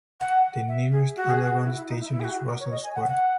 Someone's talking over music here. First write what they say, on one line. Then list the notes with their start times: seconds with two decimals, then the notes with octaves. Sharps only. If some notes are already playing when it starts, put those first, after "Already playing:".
The nearest Underground station is Russell Square.
0.20 F#5
0.68 E5
0.91 G#4
1.16 F#4
1.30 G#4
1.43 F#4
1.64 E4
1.75 E4
1.88 D#4
1.99 E4
2.11 E4
2.19 G#4
2.24 F#4
2.48 A#4
2.60 C#5
2.71 D#5
2.83 G#5
2.95 F#5
3.08 F#5